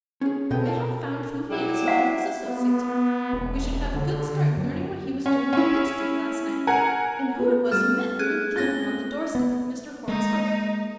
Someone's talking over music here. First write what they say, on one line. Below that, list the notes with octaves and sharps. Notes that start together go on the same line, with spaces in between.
When we have found who he is and who his associates are, we should have a good start in learning what he was doing in Pitt Street last night, and who it was who met him and killed him on the doorstep of Mr. Horace Harker.
C#4 G#4
B2 B3 A4 D#5 G5
A#4 F5 A5
F#3 G3 E4
C5 F5 F#5
B3
E1
D3
F#2
C#4
C#4 E4
A#4 F#5 G#5 A#5
B3 F4 B4
G3 A3 B3 A4 F6
G#4 F#6
C4 C#4 A6 A#6 G7
B3
G#3 A#3 D#4